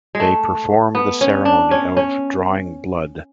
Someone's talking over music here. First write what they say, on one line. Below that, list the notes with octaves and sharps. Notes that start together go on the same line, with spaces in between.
They perform the ceremony of drawing blood.
G#3
A3
B3
C#4
D4
C#4
C#4